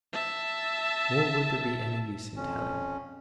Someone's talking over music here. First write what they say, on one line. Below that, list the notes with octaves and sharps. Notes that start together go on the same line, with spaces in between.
Nor would there be any use in telling them.
E5 A5
F2 C#4